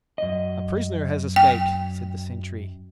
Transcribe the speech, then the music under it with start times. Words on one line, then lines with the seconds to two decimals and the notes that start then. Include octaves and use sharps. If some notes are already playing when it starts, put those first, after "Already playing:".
"A prisoner has escaped," said the sentry.
0.18 F#2 D#5
1.36 G5